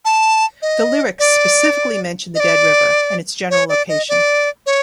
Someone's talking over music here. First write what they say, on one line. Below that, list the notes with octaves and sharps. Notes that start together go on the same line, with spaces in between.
The lyrics specifically mention the Dead River, and its general location.
A5
D#5
D5
D#5
D5
C#5
D5
D#5
D5
C#5